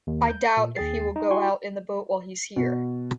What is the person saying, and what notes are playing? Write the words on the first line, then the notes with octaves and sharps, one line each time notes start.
I doubt if he will go out in the boat while he is here.
D#2
G6
A#2
D#2 G#4 G5 A6 C7
D#4
E4 F#4 G5 G#5 C6 C#6
B2